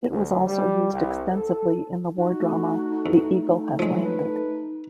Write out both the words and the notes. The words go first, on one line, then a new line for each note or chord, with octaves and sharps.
It was also used extensively in the war drama "The Eagle Has Landed".
D2
G3
C2
A4
D#4 F#4
A3
E2
F3 F#3 G#3
D#4 B4